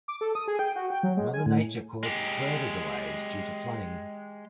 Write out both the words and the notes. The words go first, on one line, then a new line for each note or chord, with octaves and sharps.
Mother Nature caused further delays due to flooding.
D6
A4
D#6
G#4
G5
F#4
G5
F#3
G#3
G#5
A2
G#3 G4